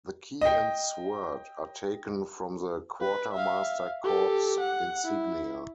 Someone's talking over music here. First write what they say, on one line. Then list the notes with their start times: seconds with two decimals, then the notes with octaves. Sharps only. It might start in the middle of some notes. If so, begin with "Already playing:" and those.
The key and sword are taken from the Quartermaster Corps insignia.
0.41 D#5 G5
3.01 B4
3.33 E5 F5
4.04 G4 A4
4.60 F#5
5.05 E4